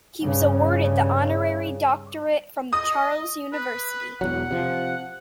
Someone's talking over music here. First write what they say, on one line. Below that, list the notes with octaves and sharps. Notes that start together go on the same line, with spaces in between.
He was awarded the honorary doctorate from the Charles University.
G2 C#3
D#5 D#6
B4
E1 E2 F#3 F#5
C3 F3